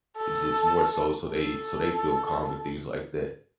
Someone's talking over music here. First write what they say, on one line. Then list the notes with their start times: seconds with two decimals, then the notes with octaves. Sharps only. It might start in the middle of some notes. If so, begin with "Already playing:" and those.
just more so, so they so they feel calm and things like that.
0.16 A4
1.34 A4